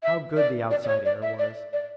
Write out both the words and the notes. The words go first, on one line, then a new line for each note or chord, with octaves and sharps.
How good the outside air was!
E5
D5
D5
D5
C#5
D5
E5
D5
D5